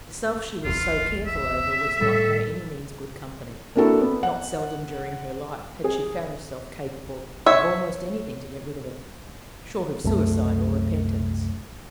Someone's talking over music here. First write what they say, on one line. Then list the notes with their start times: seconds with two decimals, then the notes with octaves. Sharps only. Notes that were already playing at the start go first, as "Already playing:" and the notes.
The self she was so careful over was not by any means good company: not seldom during her life had she found herself capable of almost anything to get rid of it, short of suicide or repentance.
0.65 D1 G1 E2 F4
1.27 E5
2.01 A2 G3 A4
3.76 A#3 D4 E4 F#4 A4 A#4
4.01 B3
4.23 F#5
5.84 G#4
7.46 C#5 E5
10.04 C2 F#2 A3